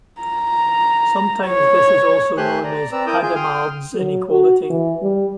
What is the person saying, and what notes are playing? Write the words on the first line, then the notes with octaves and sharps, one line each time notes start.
Sometimes this is also known as Hadamard's inequality.
A#5
C#5
A3 G4 C5 G#5 C6 F#6
D5 A#5
C4 B4 D5 A#5 E6
E4 A#4 G5 D6 D#6 G6
F4 G#4 G#5 G6
G5 C6 D#6 F6
F#3
F#4
E3
G3